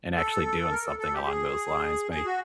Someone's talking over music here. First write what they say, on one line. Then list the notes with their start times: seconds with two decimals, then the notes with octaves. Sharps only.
and actually doing something along those lines. My
0.15 A4
0.71 A#4
0.85 A4
0.99 A4
1.13 G4
1.27 G#4
2.11 G#4
2.25 F#4